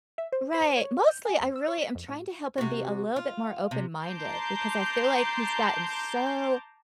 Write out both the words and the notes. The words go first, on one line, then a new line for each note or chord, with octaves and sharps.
Right, mostly, I really am trying to help him be a little bit more open minded because I feel like he's gotten so
E5
C5
C5
C#5
G6
G#4
E2
E6
C#5
B6
F2
A2
C3 F#4
F4
C3
A5 A#5 C6 D6 G6